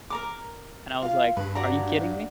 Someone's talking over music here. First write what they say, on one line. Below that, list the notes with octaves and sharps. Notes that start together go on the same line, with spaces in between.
And I was like, "Are you kidding me?"
A#4 A#5 D6
F4 F5
G2 B4
F#4 D5 A#5